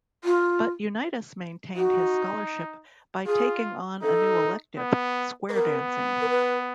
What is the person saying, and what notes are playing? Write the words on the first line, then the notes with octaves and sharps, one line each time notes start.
But Unitas maintained his scholarship by taking on a new elective: square dancing.
F4
D#4 F#4
F4 G#4
D#4 A4
B3
B4
B3 A#4
A#4
B4